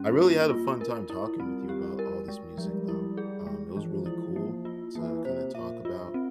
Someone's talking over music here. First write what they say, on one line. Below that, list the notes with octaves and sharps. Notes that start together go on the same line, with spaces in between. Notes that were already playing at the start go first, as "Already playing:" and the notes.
I really had a fun time talking with you about all this music though. Um, it was really cool to kinda talk about
Already playing: G2 C#4
A#3
F4
A#4
E4
G3 C4
G4
A#4
G#3
F3 G3
E4
G#4
G#3
E3 F3
E4
A#3
F4
E3 A#3
C3 C5
A#2 E5
G2 F4
C4